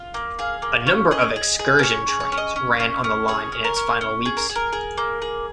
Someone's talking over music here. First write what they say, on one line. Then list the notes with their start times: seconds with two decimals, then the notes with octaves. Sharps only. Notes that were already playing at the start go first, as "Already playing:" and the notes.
A number of excursion trains ran on the line in its final weeks.
Already playing: F4 F5
0.14 A#3
0.39 G#4 F5
0.62 A#3
0.87 C#4
1.11 G#4 D#5
1.36 G#4
1.59 G#4
1.79 A#4
1.83 C#4 C#5
2.08 G#4
2.20 C#5
2.32 C#4
2.37 D#5
2.56 C#4
2.80 C#4
3.04 C#4
3.28 G#4 C#5
3.52 C#4
3.64 A#4
3.76 C#4
4.01 C#4
4.25 G#4
4.37 A#4
4.49 G#4
4.56 A#4
4.73 G#4
4.98 A#3
5.22 G#4